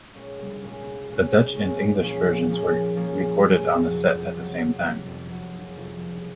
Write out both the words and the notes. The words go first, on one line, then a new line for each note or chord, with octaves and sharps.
The Dutch and English versions were recorded on the set at the same time.
A#2 G#3 C#4
C2
A#2 G#3 C#4
C2
A#2 G#3 C#4
C2
A#2 G#3 C#4
A#2
F3 A#3 C#4 G#4
A#2
F3 A#3 C#4 G#4
A#2
F3 A#3 C#4 G#4
A#2
F3 A#3 C#4 G#4
F2
C3 F#3 C4 F#4
F2
C3 F#3 C4 F#4
F2
C3 F#3 C4 F#4
F2
C3 F#3 C4 F#4
F#1
F2 C3 F3
F#1